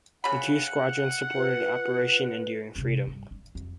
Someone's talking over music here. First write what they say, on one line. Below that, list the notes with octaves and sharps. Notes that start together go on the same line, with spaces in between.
The two squadrons supported Operation Enduring Freedom.
C#3 F#5 B5
F4 B4
C3 E3
G2
D3
F2